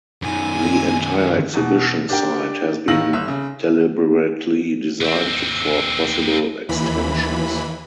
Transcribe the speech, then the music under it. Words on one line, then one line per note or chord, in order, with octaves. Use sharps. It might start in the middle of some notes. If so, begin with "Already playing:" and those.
The entire exhibition site has been deliberately designed for possible extensions.
F#2 D#3 G#5
E2 B2
D4 G4 A#4 G5
A2 D#3 F5 E6 A#6 F#7
G1 E5 E6
C#3
D#2 C4
D#2 E3 B5